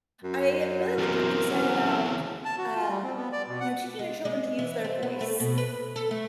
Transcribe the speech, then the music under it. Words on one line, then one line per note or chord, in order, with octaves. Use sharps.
I really liked what you said about, um, you know, teaching your children to use their voice.
F#2
E2 C3 A#4
F#3 C#4
A5
F#4
F4
G3
C4
B3
D5
B2
F#5
G#3
G#3
E3
C4
B3
A3
B2
B4
A4
A3